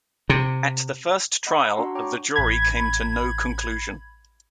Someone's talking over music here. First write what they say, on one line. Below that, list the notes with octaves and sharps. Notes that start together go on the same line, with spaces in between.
At the first trial, the jury came to no conclusion.
C3
D#5 F#5 B5 E6
D4 F#4 F#5 A#5 C6
C#5 G5 A#5 C#6 D6
A1 B5 G#6